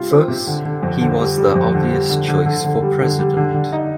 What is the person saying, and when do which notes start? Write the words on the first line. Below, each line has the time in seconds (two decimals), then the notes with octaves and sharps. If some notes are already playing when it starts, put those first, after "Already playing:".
Thus, he was the obvious choice for President.
Already playing: C3 G3 F4
0.11 C4
0.28 C3
0.47 D3
0.65 D3
0.83 F2
1.01 D3
1.19 G3
1.37 G3
1.55 F2
1.74 D3
1.92 G3
2.09 D3
2.28 D3
2.45 D3
2.64 D3
2.82 G3
3.01 D3
3.19 G3
3.37 D3
3.54 D3
3.72 D#4